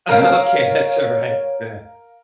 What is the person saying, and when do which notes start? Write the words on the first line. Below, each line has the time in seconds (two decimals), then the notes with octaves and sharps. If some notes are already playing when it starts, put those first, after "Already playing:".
Okay, that's alright. Yeah.
0.09 A#4 C#5 F5